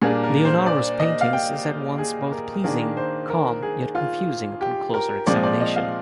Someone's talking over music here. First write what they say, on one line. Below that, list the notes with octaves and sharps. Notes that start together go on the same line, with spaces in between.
Leonardo's painting is at once both pleasing, calm yet confusing upon closer examination.
A#2 G3 A#3 D4 G#4
A#4
C5
D5
D#5
F5
G5
G#4
A#4
D#3 A#3 D4 G#4
C5
A#4
G#4
F4
G4
A#4
A#2 F3 G#3 C4 D5
D5
D#5
F5